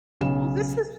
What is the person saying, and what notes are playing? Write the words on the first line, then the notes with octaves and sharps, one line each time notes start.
Well, this was
B1 C#3 E7